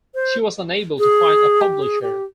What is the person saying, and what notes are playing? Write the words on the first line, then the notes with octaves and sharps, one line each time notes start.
She was unable to find a publisher.
C5
G#4
G4
G#4
G4